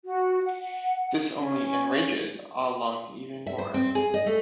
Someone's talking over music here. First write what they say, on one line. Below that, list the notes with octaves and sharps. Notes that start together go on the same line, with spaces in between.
This only enrages Ah Lung even more.
F#4
F#5
C#4
E5
C5
C4
G#4
D#5
A3